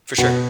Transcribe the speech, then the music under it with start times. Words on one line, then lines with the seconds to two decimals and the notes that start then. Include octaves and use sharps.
For sure.
0.18 B2 B3 F#4